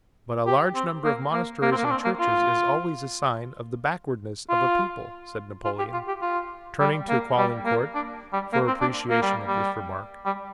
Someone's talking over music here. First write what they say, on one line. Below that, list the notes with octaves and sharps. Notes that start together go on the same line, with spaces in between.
"But a large number of monasteries and churches is always a sign of the backwardness of a people," said Napoleon, turning to Caulaincourt for appreciation of this remark.
G4
C4
A#3
A#3
A#3
C4
A#3
D4
C4
A#3
F4
F4
F4
G4
F4
G4
F4
G3
A#3
G3
A#3
D4
G3
A#3
C4
D4
A#3
G3
G3
G3